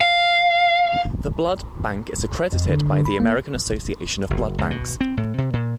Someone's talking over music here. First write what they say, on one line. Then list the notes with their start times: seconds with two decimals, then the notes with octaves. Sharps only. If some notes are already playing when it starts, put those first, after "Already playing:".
The blood bank is accredited by the American Association of Blood Banks.
0.01 F5
2.53 F2
2.70 D3
2.93 D3
3.05 B5
3.20 A#3
4.30 F#1
4.58 C#2
4.71 B2
5.01 C4
5.17 A2
5.38 C3
5.53 A#2